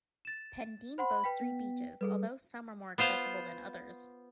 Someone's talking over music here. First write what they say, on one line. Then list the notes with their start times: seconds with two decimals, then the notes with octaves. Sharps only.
Pendeen boasts three beaches although some are more accessible than others.
0.25 A6 E7
0.98 C5 F#5 B5 C6
1.24 B4 G5 B6
1.41 B3
2.01 G3 G#4 A4 B4
2.98 B3 F4 C5 F5